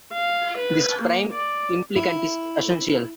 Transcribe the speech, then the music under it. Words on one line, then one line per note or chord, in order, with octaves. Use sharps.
This prime implicant is "essential".
F5
B4
A#3
D5
E4